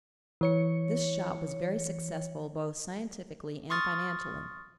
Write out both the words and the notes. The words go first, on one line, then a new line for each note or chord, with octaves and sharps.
This shop was very successful both scientifically and financially.
E3 C#5 C#7
C6 C#6 D#6 F6 A6